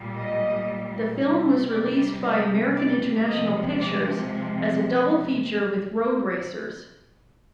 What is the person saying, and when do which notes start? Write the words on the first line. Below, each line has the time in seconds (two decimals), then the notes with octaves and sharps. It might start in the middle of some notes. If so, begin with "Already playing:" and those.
The film was released by American International Pictures as a double feature with "Roadracers".
Already playing: A#2 G3
0.16 D#5
1.19 C3 G3
1.71 D5
2.23 D#5
2.74 D5
3.25 C3 F3 G#3 D#5
3.78 D5